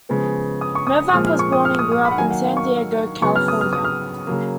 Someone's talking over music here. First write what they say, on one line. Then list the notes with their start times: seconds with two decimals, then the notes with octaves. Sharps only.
Novak was born and grew up in San Diego, California.
0.09 C#3 F3 G#3 B3
0.61 D#6
0.75 C#6
0.87 D#6
1.09 D#6
1.13 A#2 F3 G#3 F6
1.27 F6
1.39 C#6
1.52 D#6
1.65 F6
1.79 D#6
1.92 D#6
2.05 B5
2.11 F#5
2.18 D#3 F#3 A#3 G#5
2.31 F#5
2.44 F5
2.57 C#6
3.22 C#3 F#3 B3 C#6
3.36 F6
3.48 D#6
3.61 F6
3.73 D#6
3.84 F6
4.27 C#3 F#3 A#3